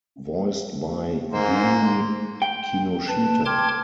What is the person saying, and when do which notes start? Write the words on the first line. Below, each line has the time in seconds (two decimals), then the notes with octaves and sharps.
Voiced by Yumi Kinoshita.
1.33 G#2 A#3 C5
2.42 G5
3.07 B4 A5
3.45 G5 A5 C6 D6 F6 G#6